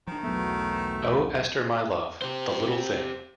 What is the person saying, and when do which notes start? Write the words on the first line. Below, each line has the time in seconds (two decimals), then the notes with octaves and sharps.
Oh, Esther, my love, the little thing!
0.08 D#3 F3 D4
0.23 B1 E2 F#3 A3 B3
2.22 G4 C5